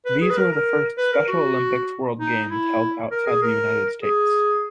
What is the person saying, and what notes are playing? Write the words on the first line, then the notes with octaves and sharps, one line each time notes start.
These were the first Special Olympics World Games held outside the United States.
B4
G#4
B4
A#4
A#4
B4
A#4
F#4
D#4
E4
A#4
G#4
A#4
G#4